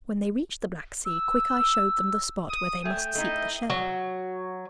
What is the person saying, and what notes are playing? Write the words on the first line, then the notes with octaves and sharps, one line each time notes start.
When they reached the black sea, Quickeye showed them the spot where they must seek the shell.
E6
D#6
A3 G5 G#5
A3 D#4 E4 D#5
F#3